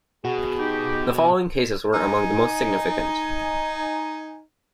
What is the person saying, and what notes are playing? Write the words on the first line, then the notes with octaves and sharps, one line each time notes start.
The following cases were among the most significant.
B2 F#4 G#4
D#4 G4
D#4 G#5